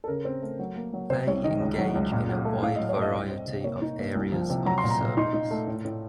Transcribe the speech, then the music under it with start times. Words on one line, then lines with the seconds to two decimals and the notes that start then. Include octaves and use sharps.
They engage in a wide variety of areas of service.
0.04 A4
0.08 C#3 A#4
0.25 C4
0.42 A3
0.59 F#3
0.75 A#3
0.93 F#3
1.10 C3 C5
1.27 C2 C#5
1.44 D#3 D#5
1.60 C#2
1.78 F#3
1.95 C#2
2.12 A#2
2.29 F#3
2.45 A3
2.62 A2 F5
2.76 F#3 D#5
2.89 C#5
2.96 A3
3.02 D#5
3.13 C2
3.30 C4
3.47 C3
3.64 A#3 C#5
3.82 D#4
3.98 A#3
4.15 C2
4.32 F3
4.50 C3
4.65 F#3 A#5
4.78 C6
4.84 A#2
4.90 A#5
5.00 A#2
5.17 D#4 C6
5.33 D#4
5.51 A3
5.67 A2
5.85 A2